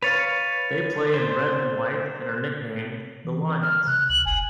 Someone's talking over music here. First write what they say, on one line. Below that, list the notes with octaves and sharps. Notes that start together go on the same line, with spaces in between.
They play in red and white and are nicknamed "The Lions".
B4 C#5 F5 A6 D#7 F7
C5
E3
F6
C3 F#6
C#2 F#7
F#1 G#5